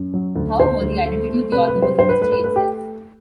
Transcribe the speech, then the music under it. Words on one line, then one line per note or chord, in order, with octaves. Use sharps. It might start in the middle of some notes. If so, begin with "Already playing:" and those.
However, the identity of the author was a mystery itself.
Already playing: F#2
F#3
D2
D2 C5
D2
A3
A3
C3 B4
B4
F#3
C5
G2 C5
B4
A3 B4
B4
A3 B4
G4